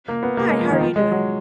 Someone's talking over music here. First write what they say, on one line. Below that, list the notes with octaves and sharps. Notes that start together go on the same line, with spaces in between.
Hi. How are you doing?
A#3
B3
A#3
G#3
F3
D#3
F3
G#3
F#3